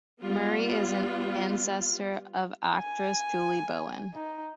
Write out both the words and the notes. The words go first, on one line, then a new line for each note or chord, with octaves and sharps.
Murray is an ancestor of actress Julie Bowen.
G3 B3 F4
G#5
D#4